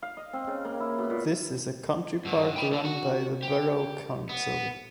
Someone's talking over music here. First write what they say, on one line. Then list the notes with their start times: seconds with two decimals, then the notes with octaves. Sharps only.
This is a country park run by the borough council.
0.02 F5
0.17 D#5
0.33 C4
0.47 C#3
0.65 A#3
0.80 E4
0.98 B2
1.10 A#2
2.25 G2 D3
2.56 G5 B5
2.73 D3
2.85 F#4
3.43 G4
4.29 B3